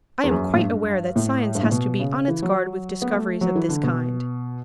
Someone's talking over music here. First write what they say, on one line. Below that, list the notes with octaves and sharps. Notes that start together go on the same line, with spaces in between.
I am quite aware that science has to be on its guard with discoveries of this kind.
E2
F#2
A2
G2
A2
G2
A2
B2
C#3
E3
F#3
B3
A3
F#3
E3
D3
B2